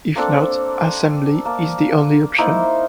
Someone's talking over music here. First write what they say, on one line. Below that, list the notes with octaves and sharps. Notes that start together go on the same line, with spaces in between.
If not, assembly is the only option.
A#3 C4 D4 A4
A#3 A5
A#3 D#4 E4 C5